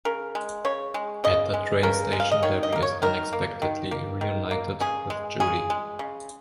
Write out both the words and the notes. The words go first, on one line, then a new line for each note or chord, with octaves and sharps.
At the train station, Larry is unexpectedly reunited with Judy.
C#3 A#4
G#3
C#3 C#5
G#3
C#3 D#5
G#3
C#3 A#4
G#3
F5
D#5
D#3 C#5
D#5
A#3 A#4
C#5
D#3 A#4
A#3
D#3
A#3
D#3
A#3
C#3 G#4
G#3
C#3 G#4
G#3
C#3